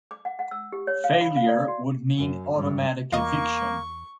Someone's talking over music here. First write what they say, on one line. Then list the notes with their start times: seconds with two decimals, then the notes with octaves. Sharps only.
Failure would mean automatic eviction.
0.11 D6
0.25 F#5
0.39 F#5
0.51 E6
0.72 G4
0.87 C#5
1.04 F5
1.21 B5
1.36 F5
1.48 D5
1.68 F#4
2.17 F#2
2.54 G#1 G2
3.12 E2 A#3 F4 D#5 C#6